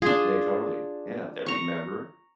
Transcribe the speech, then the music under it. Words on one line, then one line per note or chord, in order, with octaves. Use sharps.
They totally Yeah, they remember.
D4 F4 G#4
A#5 C#6